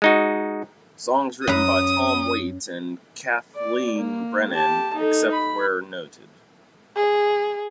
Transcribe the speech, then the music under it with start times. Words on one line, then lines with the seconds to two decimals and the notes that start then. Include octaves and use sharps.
Songs written by Tom Waits and Kathleen Brennan, except where noted.
0.02 G#3 D#4 F#4
1.47 F#2 B4 A#5 D#6
3.55 D5
3.98 A#3
4.51 G4 A5
4.94 D#4 A4
5.32 B5
6.96 G#4